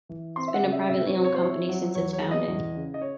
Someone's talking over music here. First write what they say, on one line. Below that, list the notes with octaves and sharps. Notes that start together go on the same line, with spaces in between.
It's been a privately owned company since its founding.
E3
C4 C6
E5
F#5
C#3
E5
C3 E5
C#5
C4
C#5
C5
E4 C#5
F#3
E2 C#5
C#5
G#3
D#5
E2
C#3
D#5
C#5